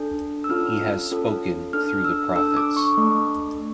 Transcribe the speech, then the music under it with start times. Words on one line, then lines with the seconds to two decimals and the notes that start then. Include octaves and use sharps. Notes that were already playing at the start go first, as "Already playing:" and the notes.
He has spoken through the Prophets.
Already playing: D4 A4
0.44 E6
0.49 C#4 F4 A4 F6
1.12 C#4 F4 A4
1.73 D4 A4 F6
2.04 E6
2.36 A4 E6
2.38 D4
2.57 D6
2.77 C#6
2.97 A3 D4 A4